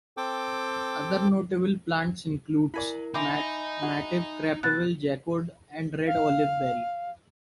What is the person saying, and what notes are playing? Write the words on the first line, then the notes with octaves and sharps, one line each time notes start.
Other notable plants include mative crabapple, jackwood and red olive berry.
C4 A4 G5 D6
E4 A#4 D5 G#5 B5
D#4 E5 G5 G#5 B5 C6 D6
F#4 G#4
B2 F#6 A6
F5